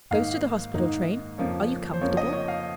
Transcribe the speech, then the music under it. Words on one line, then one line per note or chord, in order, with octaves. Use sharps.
Goes to the hospital train--'Are you comfortable?
G#2 D#3 A#3 D#4 F5
G#2 D#3 A#3 D#4
F2 C#3 F3 A#3 C#4
C5
F2 C#3 F3 A#3 C#4 C#5
D#5
C#5
F5